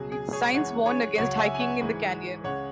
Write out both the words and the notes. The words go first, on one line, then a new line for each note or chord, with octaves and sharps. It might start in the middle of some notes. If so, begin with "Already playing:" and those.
Signs warn against hiking in the canyon.
Already playing: C#2 B2 F#3 G#4
G#4
G#4 C#5
F#2 E3 G#3 C#5 F#5
G#4 C#5
C#2 C#3 F#3 C#5 F#5
F#5
E5 G#5
G#5
C#5 F#5
G#2 E3 G#3
C#2 C#3 G#3 C#5 F#5